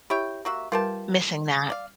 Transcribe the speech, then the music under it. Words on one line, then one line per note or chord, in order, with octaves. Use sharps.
Missing that.
E4 G4 C#5 G5
A#3 F#4 E5
G3 F4 G4 A#4 B4 A5
D5 F5